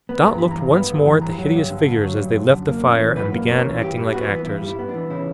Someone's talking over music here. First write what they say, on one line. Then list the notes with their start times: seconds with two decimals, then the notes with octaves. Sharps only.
Dot looked once more at the hideous figures as they left the fire and began acting like actors.
0.09 B3
0.24 G2 A#5
0.38 E3 B5
0.51 A#5
0.57 G2
0.74 B3
0.90 G2
1.06 E3
1.21 G2 A#5
1.38 F#3
1.54 G2
1.70 D3
1.87 G2
2.03 F#3
2.19 G2
2.35 D3
2.51 F#2
2.67 A#3
2.84 C#4
3.00 E3
3.16 F#2 B4
3.32 A#3
3.48 C#4 A#4
3.65 E3
3.81 G2 G4
3.97 G3
4.13 B3 F#4
4.29 E3
4.45 G2 E4
4.62 G3
4.68 E4
4.79 B3
4.89 D4
4.94 E3
5.10 C#3 E4